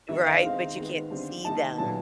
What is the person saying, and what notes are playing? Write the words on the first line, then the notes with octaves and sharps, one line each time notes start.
Right, but you can't see them.
D#3 G3 B3 D#4 E5
F5
D#3 G#3 C4 D#4 F5
D#3 G#3 B3
D3 G3 C4
D#3 G3 A#3 D#4 A5
A#2 F#3 B3 E4 A5